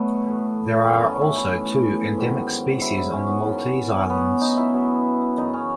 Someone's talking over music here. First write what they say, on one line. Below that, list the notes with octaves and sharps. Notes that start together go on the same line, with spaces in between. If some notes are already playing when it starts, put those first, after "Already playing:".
There are also two endemic species on the Maltese Islands.
Already playing: B2 F#3 A3 B3
A2 E3
A3
F#2 D#3 F#3 B3
C#4
E4
E4
A2 E3
G#2 D#3 F#3
G#2 F#3 E4
E4
C#4
B3
F#2 D#3 F#3
C#4
B2 F#3 B3
D#4
E4
B2 F#3
F#2 C#3 E3 D#4
C#4